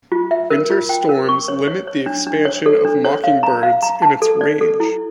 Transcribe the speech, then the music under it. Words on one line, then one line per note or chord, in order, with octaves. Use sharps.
Winter storms limit the expansion of mockingbirds in its range.
F4
E5
A#4
F4
G5
A#4
C#6
C#5
C#5
C#5
D4
D4
C#5
A4
D4
C#5
F5
A#5
F5
A#5
A5
A4
D5
A4
E4